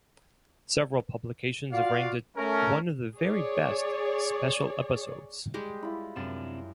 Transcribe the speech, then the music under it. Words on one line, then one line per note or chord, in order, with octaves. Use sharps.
Several publications have ranked it one of the best very special episodes.
F4 F#4 D5 F5
A3 C#4 A#4
G#4 C#5 D5
G3 G#3 G4
E4 F4
F#2 C3 C4 D4 A6 D#7